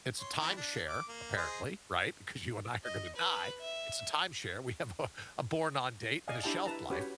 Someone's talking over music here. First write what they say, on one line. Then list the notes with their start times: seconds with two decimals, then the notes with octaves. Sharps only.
It's a timeshare, apparently, right, because you and I are gonna die. It's a timeshare. We have a a born on date and a shelf life,
0.19 C#5 C6
0.40 E3 C4 E4
0.56 D4
0.88 D6
1.08 A#3
1.37 G#4 C5 D#5
2.84 D#5
3.16 B4
3.61 E5
6.28 D5 D#5 F5 G#5
6.43 D4 E4 G4 G5 A5
6.65 E4 B4 A5 A#5
6.90 C#4 F#4 G4 B4 C#5